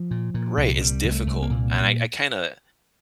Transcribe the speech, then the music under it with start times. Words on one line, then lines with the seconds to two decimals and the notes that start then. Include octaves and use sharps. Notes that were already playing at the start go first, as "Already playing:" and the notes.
Right, it's difficult, and I I kinda
Already playing: F3
0.11 A#2
0.34 A#2
0.57 C2
0.81 C2 G3
1.04 C2
1.12 A3
1.27 C2
1.42 A#3
1.50 A#2
1.74 G3